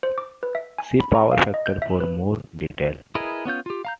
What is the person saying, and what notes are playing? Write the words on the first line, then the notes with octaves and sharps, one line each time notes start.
See Power factor for more detail.
C5
D6
B4
E5
G#5
B5
A#5
F5
D#5
G6
E5
B4
E4 G#4 A#4 B4 D#5
B3 C#4 F4 G6
F4 G4
F5 A#5 G6